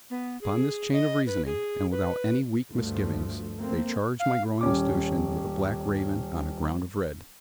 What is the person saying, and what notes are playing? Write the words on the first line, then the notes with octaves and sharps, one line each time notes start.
Upon this chain of reasoning, and without any weak misgivings, they charged my growing escutcheon with a black raven on a ground of red.
B3
G#4
D#5
B4
G#4
B4
D2 G2 F3 A3
A3 A#3 C4
F5
D#1 C#4 D6